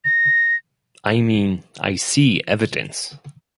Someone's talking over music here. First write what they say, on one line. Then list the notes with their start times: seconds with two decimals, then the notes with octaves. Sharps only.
I mean I see evidence.
0.05 A#6